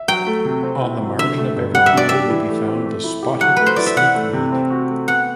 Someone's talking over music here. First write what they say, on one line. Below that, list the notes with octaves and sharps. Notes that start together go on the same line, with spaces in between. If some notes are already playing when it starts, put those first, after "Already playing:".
On the margin of every pool may be found the spotted snakeweed.
Already playing: E5
F#3 G5
A3
C3
C4
E4
F#3
D3 E5
A3
G2
G3 F#5
E5
D4 D5
G4 E5
E3
A3
C4
A3
E4
G4
F#3 F#5
A3 B4
C5
E4 D5
E5
E3 F#5
A3
C3
C4
F#4
A3
B3 F#5